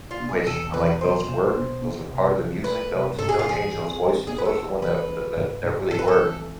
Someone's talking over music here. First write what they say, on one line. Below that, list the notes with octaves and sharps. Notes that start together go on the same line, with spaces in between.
which I'm like, "Those work, those are part of the music, don't don't change those voicings, those are the one that that that that really work."
F4
B2
G#4
E1 A4
E2 B4
B1 C5
B1
B2
B2
C2
F3
A3 B4
C2
G#2 A4
G#4
F4
E3 G#4
G#1
G#1
B3 G#4
B4
A4
G#3
E2 B4
G#3
G#2
G#2
G#1 A4
B4
A4
E3